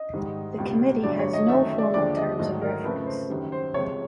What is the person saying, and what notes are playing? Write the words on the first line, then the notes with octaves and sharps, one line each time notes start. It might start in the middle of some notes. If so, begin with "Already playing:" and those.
The Committee has no formal terms of reference.
Already playing: D#5
G#2 D#3 G3
C#2 B2 G3
G2 D3 F#3 A3 D5
C#5
D#5
F#2 D#3 F#3 A3 E5
E5
D5
D#2 D3 F3 G#3 D5
D#5
G#2 D#3 F#3 A3 D#5
A#4
F2 C#3 F3 A3 B4
C5
F#2 D#3 G3
C5
C#2 C3 F3 G#3 C#5